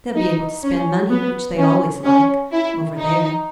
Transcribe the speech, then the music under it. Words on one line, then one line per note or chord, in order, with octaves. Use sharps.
They'll be able to spend money, which they always like, over there.
D#4
C#4
B3
C#4
C#4
E4
D#4